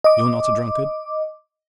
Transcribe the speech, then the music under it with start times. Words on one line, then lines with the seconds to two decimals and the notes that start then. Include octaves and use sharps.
You're not a drunkard!
0.04 D#5 D6